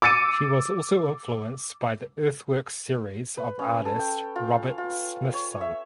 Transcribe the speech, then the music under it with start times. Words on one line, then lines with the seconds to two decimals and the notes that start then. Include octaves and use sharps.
She was also influenced by the earthworks series of artist Robert Smithson.
0.02 D6 E6 A6 C#7 D#7
3.37 B4
3.59 C#4
3.85 A4
3.99 G5
4.36 F4
4.78 F4
5.34 C#5
5.61 E5